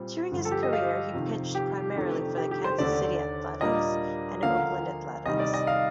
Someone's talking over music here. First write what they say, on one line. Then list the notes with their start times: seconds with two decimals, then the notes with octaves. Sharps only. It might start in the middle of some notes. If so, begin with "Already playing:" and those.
During his career, he pitched primarily for the Kansas City Athletics and Oakland Athletics.
Already playing: A#2 G3 C4
0.32 G2 D3 F3
0.45 A4
0.51 G4
0.63 D#5
0.73 F5
1.13 F2 C3 D#3
1.55 G4
1.96 F2 C3 D#3 A3 D4
2.37 G4
2.51 G4
2.64 C5
2.78 D#2 D3 A3 D4 D5
3.61 A#2 G3 A#3 D4 D#5
4.43 D2 D3 F3 A#3 F5
5.26 C2 C3 D#3 G3 D#5
5.40 D5
5.54 D#5
5.67 F5